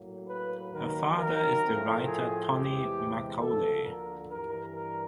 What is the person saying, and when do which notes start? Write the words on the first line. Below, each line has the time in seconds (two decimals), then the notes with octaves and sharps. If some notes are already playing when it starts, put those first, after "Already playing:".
Her father is the writer Tony Macaulay.
Already playing: A2 F#3 A#3
0.27 B4
0.72 D#2 D#3 F#3 A#3 A#4
1.17 A#4
1.62 A2 F3 A3 C4
2.07 G#4
2.51 E2 C3 E3 G#3 G4
3.41 D2 D3 F3 A#3 A4
3.85 A#4
4.31 G2 E3 G3 A#4
4.75 A#4